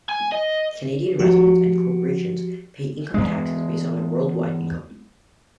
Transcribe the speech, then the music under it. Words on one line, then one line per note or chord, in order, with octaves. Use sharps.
Canadian residents and corporations pay income taxes based on their world-wide income.
G#5
D#5
F3 F#4 G4
E2 G#3